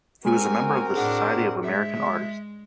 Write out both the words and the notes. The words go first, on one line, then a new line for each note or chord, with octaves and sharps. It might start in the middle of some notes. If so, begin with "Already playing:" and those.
He was a member of the Society of American Artists.
G#3 C4 F#4 A#4 G#5
A2 D4 G#4 F#5
G#3 E5